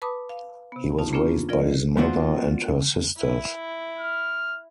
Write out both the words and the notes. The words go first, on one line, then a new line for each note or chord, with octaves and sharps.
He was raised by his mother and her sisters.
B4 A5 B5 D6 D#6
F5
C3 B3
D#4 F4 A5
A#3 B3 C#4 D4 F4
F3 F4 A#4 D5 D#5
A3 B3 D4 F4 F#4 C5
E4
F6